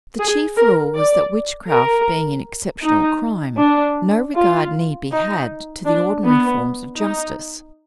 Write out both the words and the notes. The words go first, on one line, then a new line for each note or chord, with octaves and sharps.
The chief rule was that witchcraft being an "exceptional crime," no regard need be had to the ordinary forms of justice.
G#4
A#4
D5
A#4
D#4
D4
F4
D#4
D4
B3
D#4